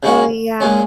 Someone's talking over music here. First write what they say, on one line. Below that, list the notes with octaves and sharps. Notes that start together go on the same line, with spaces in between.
Oh yeah.
C#3 G#3 C#4 F#4
A#2 G#3 C#4